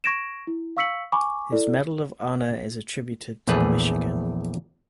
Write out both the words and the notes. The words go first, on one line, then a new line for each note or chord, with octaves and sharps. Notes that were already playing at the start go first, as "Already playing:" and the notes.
His Medal of Honor is attributed to Michigan.
C#6 G#6 A#6 D7 E7
E4
F5 C#6 E6 B6 C#7 F#7
G#5 B5 C#6 D6
E4 A4 D5
A#1 E2 A3 G#4 B4